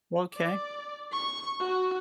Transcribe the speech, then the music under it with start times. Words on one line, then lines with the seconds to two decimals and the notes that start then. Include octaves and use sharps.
Well 'kay.
0.34 D5
1.12 C#6
1.60 F#4